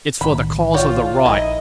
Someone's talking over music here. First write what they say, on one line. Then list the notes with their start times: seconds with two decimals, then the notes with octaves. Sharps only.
It's for the cause of the right.'
0.21 B1 A2 D#3 B5
0.74 F4 C#5 D5 G5
1.25 A#1 D#3 E4 D#5